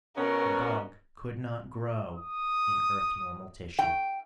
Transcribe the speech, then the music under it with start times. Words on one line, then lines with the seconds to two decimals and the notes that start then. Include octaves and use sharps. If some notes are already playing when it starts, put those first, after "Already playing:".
The bug could not grow in Earth-normal tissue.
0.18 B2 B3 C#4 A#4
2.14 D#6
3.79 G5